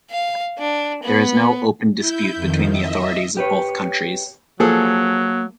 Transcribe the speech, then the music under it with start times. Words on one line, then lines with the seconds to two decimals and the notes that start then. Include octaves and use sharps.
There is no open dispute between the authorities of both countries.
0.10 F5
0.59 D4
1.03 B3
1.97 E4 G6
2.36 F2 D#3
2.71 D#5 E5
3.37 G4 B4 C#5
4.60 F3 F#3 A#3 G#4 A4